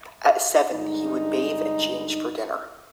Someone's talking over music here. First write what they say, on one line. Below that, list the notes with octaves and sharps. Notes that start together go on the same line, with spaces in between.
At seven he would bathe and change for dinner.
G2 D3 G#3 D#4